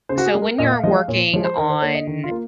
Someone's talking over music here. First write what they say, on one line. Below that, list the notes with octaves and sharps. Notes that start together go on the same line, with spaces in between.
so, when you're working on
C#3 C5
F#4
G#4
G#3
A#4
A#2 D#5
F5
F3 G#3 D#5
F5
A#2 C#5
F3 G#3 C#5
C5
D#3 A#4
C5
A#3 C#5
D#5
D#3
F4
A#3